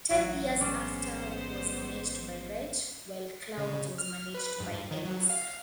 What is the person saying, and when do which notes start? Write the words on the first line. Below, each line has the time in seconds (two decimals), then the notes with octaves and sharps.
Ten Years After was managed by Wright, while Clouds was managed by Ellis.
0.11 A1 G2 F#3 G#3
0.60 G#2 B3 C#4 C5 D5
3.58 C#3
3.98 F6
4.34 B4
4.60 G2
4.91 D#3
5.05 F#3
5.30 F5